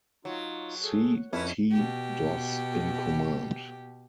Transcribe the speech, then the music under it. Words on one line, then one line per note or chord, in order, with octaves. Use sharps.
C. T. Doss in command.
F#3 D#4 F4
G#4 A4
F2 C#4 E4 A#4 B4
B2 G4